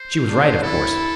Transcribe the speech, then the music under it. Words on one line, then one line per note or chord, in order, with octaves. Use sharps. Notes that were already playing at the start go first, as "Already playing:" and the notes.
She was right, of course.
Already playing: C5
D4
E4 A4